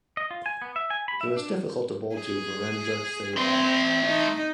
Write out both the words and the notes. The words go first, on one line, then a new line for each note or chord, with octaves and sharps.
It was difficult to bowl to Virendra Sehwag.
D#5
F4
G#5
B3
E5
G#5
B5
E5
D4
G#4
A3 C4 C6
D#4